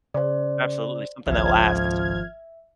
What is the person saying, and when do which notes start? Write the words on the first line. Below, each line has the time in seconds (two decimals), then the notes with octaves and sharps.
Absolutely, something that lasts.
0.14 C#3 C5 D5
1.27 G#1 C#2 F3 E5 F6 G#6